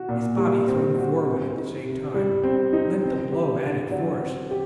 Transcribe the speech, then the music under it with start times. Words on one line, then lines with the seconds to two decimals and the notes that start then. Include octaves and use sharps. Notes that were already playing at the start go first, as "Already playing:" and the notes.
His body, thrown forward at the same time, lent the blow added force.
Already playing: F#4
0.09 A#2
0.38 G3
0.68 C4
0.97 F#4
1.26 C4
1.56 D#4
1.85 C3
2.14 G3
2.43 C4
2.73 D#4
3.04 C4
3.32 G4
3.62 D3
3.91 F#3
4.21 C4
4.51 G4